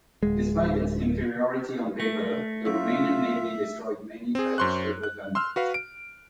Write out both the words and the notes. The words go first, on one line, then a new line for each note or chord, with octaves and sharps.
Despite its inferiority on paper, the Romanian Navy destroyed many Turkish river gunboats.
D1 G#3
A3 A#6
F#3 C#4 E4 F4 E5
C4 G#4
F#2 C5 C6 C#6 F#6
F#6
C6 E6 F6
F#4 B4 F5
D7